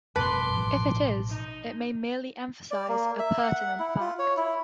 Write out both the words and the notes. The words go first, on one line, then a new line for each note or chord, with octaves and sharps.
If it is, it may merely emphasize a pertinent fact.
F1 G2 B2 B4 A5 C6 D6
A1 B2 F3
D#4
D5
A#3
E5
F#5
E4
F4
C#5
E4